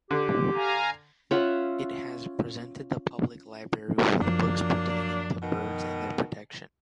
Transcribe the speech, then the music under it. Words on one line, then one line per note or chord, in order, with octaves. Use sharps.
It has presented the public library with books pertaining to birds and their protection.
D3 G4
F5 G#5 A#5
C#4 F4 E5 F#5
F#2 F3 F#3 A#3 D4
B2 D#3